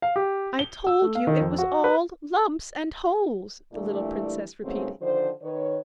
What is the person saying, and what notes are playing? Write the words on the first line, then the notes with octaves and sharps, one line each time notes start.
"I told you it was all lumps and holes!" the little princess repeated.
F5
G4
G7
E6
A3
F5
D#3
F2
F#4
B4
A#2 E3 G3 A3 D4 E4
G#2 C#3 F#3 A3 B3 C4
D3 D#3 F3 C5
D#3 B4 C#5